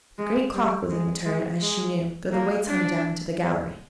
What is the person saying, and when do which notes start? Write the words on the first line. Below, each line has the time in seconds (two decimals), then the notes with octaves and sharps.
The great clock was in the turret, as she knew, though the weights hung down into the gallery.
0.18 G#3
0.54 G3
0.89 G#3
1.25 G#3
1.61 G#3
2.32 A#3
2.67 D4